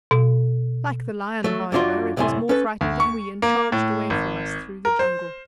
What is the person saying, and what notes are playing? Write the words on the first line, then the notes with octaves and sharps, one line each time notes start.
Like the lion, however, it was more frightened than we, and charged away from us through the jungle.
B2
F#3 A3
F#2 A#3 D4 F4 F#4 C6
C2 F#2 A2 C3 G#5 C6
C#4 A4 B4
D2
C#6
A#3
A2
G#1
A#4
C5